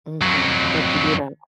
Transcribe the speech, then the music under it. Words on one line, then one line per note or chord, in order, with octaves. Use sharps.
Mhm, that you do not
F2 F#3